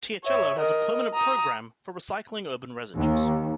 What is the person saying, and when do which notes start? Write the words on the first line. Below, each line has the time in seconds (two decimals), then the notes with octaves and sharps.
Teocelo has a permanent program for recycling urban residues.
0.25 C#5 E5
0.59 A#4 D#5
1.14 A#5 D#6
2.96 D#2